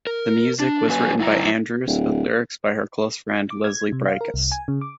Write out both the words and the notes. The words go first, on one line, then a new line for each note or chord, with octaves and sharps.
The music was written by Andrews with lyrics by her close friend Leslie Bricusse.
A#4
D4
F#3 A#3 C#4 B4 G#5
F#2 E4 F#4 A#5
D1
D6
G#6
C3
F5
A#4
C2
G#5
C#3
D6